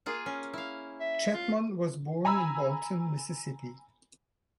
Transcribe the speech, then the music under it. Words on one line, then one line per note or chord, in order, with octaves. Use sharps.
Chatmon was born in Bolton, Mississippi.
A#3 F4 G#4
C#4
E4 F5
E5
F4
G#5 A#5 B5 E6